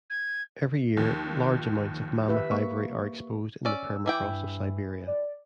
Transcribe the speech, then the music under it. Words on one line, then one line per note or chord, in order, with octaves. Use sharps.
Every year, large amounts of mammoth ivory are exposed in the permafrost of Siberia.
G#6
D#2 F3
G4 B4 E5
A#3 C#6
C#4 D5 E6
E3 E4 G5 D6
G2
D5